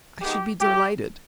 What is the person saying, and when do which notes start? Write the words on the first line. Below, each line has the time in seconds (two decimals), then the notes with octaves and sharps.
"I should be delighted."
0.22 D#3 G#3 B3 D#4 G4
0.60 C#3 F3 A3 C#4 G4